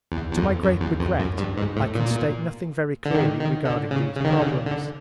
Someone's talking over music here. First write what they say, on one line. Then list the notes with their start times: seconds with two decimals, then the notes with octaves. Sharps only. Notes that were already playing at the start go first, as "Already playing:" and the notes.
To my great regret I can state nothing very clear regarding these problems.
0.12 E2
0.32 E2
0.38 F2
0.63 F#2
0.81 E2
1.00 F2
1.20 F#2
1.38 G2
1.57 G#2
1.76 A2
1.95 A#2
3.05 D3
3.15 D#3
3.40 D#3
3.65 D3
3.91 C#3
4.15 C#3
4.25 D#3
4.32 D3
4.41 C#3
4.66 D3